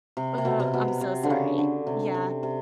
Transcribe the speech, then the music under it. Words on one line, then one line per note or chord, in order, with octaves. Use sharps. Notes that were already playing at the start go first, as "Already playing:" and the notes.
Oh, I'm so sorry. Yeah.
C3
C3
B2
C3
B2
C3
C3
D3
C#3
D3
C3
C3
C3